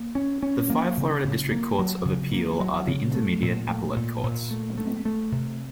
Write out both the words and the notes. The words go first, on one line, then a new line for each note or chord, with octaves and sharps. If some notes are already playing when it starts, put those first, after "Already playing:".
The five Florida District Courts of Appeal are the intermediate appellate courts.
Already playing: A#3
C#4
C#4
A#3
C#3
C#3
A#3
F#3
C#3
A#3
F#3
C#3
A3
A#2
A3
A#2
A#2
A3
A3
A3
C3